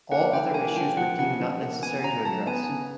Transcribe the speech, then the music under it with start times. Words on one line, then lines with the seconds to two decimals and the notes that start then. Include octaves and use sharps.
All other issues were deemed not necessary to address.
0.12 A#3 F#5
0.32 C#3 G5
0.54 A#3 G#5
0.76 F3 G5
0.97 F3 F#5
1.19 C#3 F#5
1.40 F3
1.62 A#3
1.83 B3 G#5
2.04 C#3 A#5
2.25 F#3 A5
2.47 B3 G#5
2.69 C#3